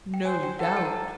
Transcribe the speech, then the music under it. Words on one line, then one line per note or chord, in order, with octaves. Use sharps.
"No doubt."
G5
C5 G#5
G5
A4 F#5
G5
A5
A#5